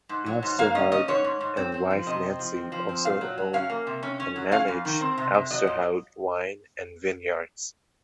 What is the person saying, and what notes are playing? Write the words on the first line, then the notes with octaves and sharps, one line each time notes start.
Ousterhout and wife Nancy also own and manage Ousterhout Wine and Vineyards.
G#2
F#3
G#2
A#3 F5
C#4 D#5
C#4 D#5
G#2 C#5
G#2
G#2
C4
C4
F3
C3 D#5
C4
F3
C4
F3
C4
A#2 F5
F#3
F#3
C#4 F5
A#3
C3
C#4
C#4
F#3
C#4 F5
F2
D#3
C4
C3
C3
F#3 D#5
A#2